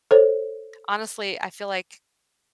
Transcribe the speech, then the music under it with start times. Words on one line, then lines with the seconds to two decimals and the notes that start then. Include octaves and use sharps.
honestly, I feel like k
0.11 A4 C5 C#5